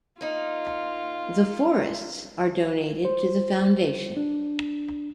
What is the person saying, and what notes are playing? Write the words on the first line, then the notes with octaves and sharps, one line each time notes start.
The forests are donated to the foundation.
A#3 D#4 F4
C5
D4